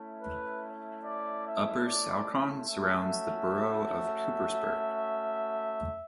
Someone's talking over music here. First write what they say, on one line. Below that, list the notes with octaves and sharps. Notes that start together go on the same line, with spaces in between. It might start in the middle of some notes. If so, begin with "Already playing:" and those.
Upper Saucon surrounds the borough of Coopersburg.
Already playing: A3 C#4 E4
B4
D5
E5
D5
A3 C#4 F#4 E5